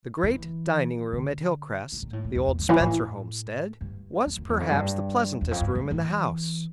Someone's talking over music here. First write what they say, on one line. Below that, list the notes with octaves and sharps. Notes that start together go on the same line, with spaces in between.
The great dining-room at Hilcrest, the old Spencer homestead, was perhaps the pleasantest room in the house.
E3
D3
A2
A#2
A2
A2
F2
E2
G2
E3
A2
G2
F2
F2
E2
F2
G2
E2
F2
G2
F3
E3